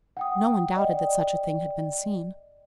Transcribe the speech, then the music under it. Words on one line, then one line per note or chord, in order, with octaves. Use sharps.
No one doubted that such a thing had been seen.
F#5 G5 D#6
D5 D#5 G5